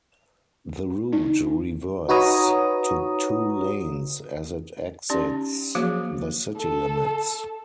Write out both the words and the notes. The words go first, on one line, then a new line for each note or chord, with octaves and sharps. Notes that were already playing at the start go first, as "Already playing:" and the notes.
The route reverts to two lanes as it exits the city limits.
D#4
D#4 F#4 B4 C#5 A#5 D#6
C#4 D#4 G4 D5 C6
F3 F#3 A#3 F#4 G#4 C5
A4